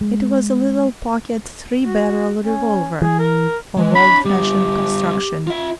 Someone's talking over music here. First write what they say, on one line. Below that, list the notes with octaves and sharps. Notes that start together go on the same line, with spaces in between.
It was a little pocket three-barrel revolver of old-fashioned construction.
G#3
F#4
C#4
E3 G#4
A#4
E3 G#3
D4 C#5 B5
G3 B3 G4
F4 E5